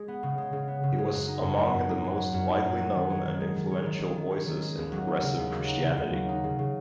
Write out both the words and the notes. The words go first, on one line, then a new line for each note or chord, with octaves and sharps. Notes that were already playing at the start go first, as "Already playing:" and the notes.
He was among the most widely known and influential voices in progressive Christianity.
Already playing: G#3
B3
C#3
G#3
C#3
B3
C#3
G#3
F#2
D#4
F#2
F#3
F#2
D#4
F#2
F#3
F#2
D#4
F#2
F#3
D#3
C#4
D#3
G#3
D#3
C#4
D#3
G#3
D#3
C#4
D#3
G#3
D#2
F#3
D#4
C#3
D#2
F#3
D#4
C#3
D#2
F#3
D#4
C#3
C#3